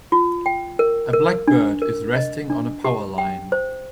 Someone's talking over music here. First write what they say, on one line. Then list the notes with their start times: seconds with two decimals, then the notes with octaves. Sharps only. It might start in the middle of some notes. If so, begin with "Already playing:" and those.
A black bird is resting on a power line.
0.12 F4
0.46 G5
0.79 A#4
1.13 A#4
1.48 D4
1.82 A#4
2.16 D#5
2.50 D4
2.84 G4
3.18 G5
3.52 C5